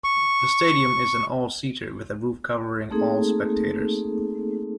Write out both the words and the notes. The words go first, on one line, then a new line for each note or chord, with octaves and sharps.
The stadium is an all-seater, with a roof covering all spectators.
C#6
A3 A#3 C4 D#4 G#4 A4